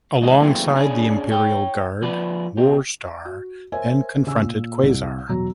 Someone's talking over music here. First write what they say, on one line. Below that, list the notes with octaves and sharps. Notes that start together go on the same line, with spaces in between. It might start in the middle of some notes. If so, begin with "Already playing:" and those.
Alongside the Imperial Guard, Warstar then confronted Quasar.
C#2 A2 D#3 D#5
C#3 E3 F#3 A3 A#3 C4
C#4 D4 G#4
C#5 G5
F3 B4 D5
B2 G4
F#4
A#4 C5 C#5 E5 G#5
C#3 G#5 E6
A#2
C2
E1 B2 F#3 F#4 A#5